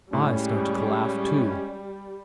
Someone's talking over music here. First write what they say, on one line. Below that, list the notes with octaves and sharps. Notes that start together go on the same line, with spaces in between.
I started to laugh, too.
A2 G3 G#3 C#4